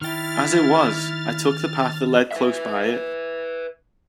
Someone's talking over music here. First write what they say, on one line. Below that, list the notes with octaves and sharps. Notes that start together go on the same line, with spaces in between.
As it was, I took the path that led close by it.
D#3 E4 G5 F6 A6
B4 E5